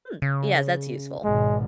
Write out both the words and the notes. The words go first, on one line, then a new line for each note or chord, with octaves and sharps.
Hmm. Yes. That's useful.
C#3
G#1 B2 G#3